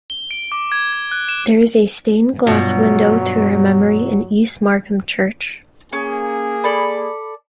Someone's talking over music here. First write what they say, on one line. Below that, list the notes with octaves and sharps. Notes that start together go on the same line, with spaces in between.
There is a stained glass window to her memory in East Markham Church.
G7
D7
D6
G#6
G#6
F#6
E7
G2 B2 F#3 F4 F#4 D5
A#3 C#4 G#4
A4 D5 B5